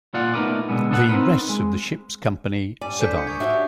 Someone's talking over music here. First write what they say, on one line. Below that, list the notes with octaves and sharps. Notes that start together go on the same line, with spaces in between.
The rest of the ship's company survived.
A#2 F4 D5 F5 F#5
A3 B3 D#4 A#4 B4 D5
B2 D3 D#3 G#3 B3
B3 D4 A4 C5 F#5
C4 D#4 A#4 B4
G#3
G2 D5 G#5 D6
D4 A4 C5 G#5 G6 B6
D#6 G6 C#7
G#3 A#3 C#6 G#6
D4 D#4 F#4 C#5 E5
G4